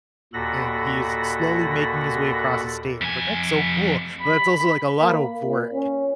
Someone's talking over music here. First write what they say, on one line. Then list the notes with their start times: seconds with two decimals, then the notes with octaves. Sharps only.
and he's slowly making his way across the state, and it's like, "That's so cool," but it's also, like, a lot of work.
0.33 D#2 A#2 F#4 A4 B5 A#6
3.01 F2 G#5
4.21 B5
5.01 A#3
5.44 A#2
5.73 C#4